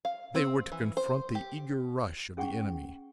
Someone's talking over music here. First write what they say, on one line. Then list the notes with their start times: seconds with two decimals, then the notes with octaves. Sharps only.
They were to confront the eager rush of the enemy.
0.05 F5
0.35 C4
0.72 E3
0.97 C5
1.35 G4
2.37 C#4 G#4 F#5 G5 C#6